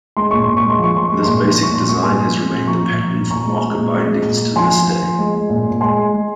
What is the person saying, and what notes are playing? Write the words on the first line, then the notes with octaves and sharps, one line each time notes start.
This basic design has remained the pattern for Marker bindings to this day.
G#3 C6
A#2 C#6
A#2 C6
C#6
G#3
C6
F3 C#6
F3 C6
G#3 C#6
A#2 C6
C#6
F3
C6
F3
C#6
A#2 C6
G#3 C#6
A#2 G#5 C6
F3
G#3
A#2
F3 A#5 C#6
A#2
F3
A#2
A#2 A#5 C#6
G#3
G#3
A#2
G#3
G#3
A#2
G#3
F3 G#5 C6
F3
F3
F3
G#3
G#3
A#2
A#2
G#3 G#5 C6
G#3
G#3